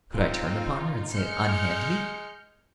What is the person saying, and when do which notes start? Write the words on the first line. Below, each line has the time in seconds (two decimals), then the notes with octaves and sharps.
Could I turn upon her and say "Unhand me"?
0.13 C4 D#4 F4
1.14 G#3 F6 G6 C#7